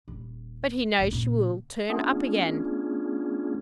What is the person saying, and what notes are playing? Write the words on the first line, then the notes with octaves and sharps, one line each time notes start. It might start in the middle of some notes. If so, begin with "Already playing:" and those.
But he knows she will turn up again.
D#1
A2 C#3
A#2 C#3
A3 B3 C#4 D4 F4 G#4